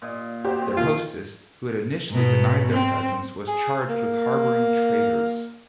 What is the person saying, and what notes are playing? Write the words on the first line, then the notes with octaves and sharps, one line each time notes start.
Their hostess, who had initially denied their presence, was charged with harbouring traitors.
A#2 D#5
F#4 G4 C5
C4
B2 E3 A#3 F4
G#2 B2
C4
G#4
A#3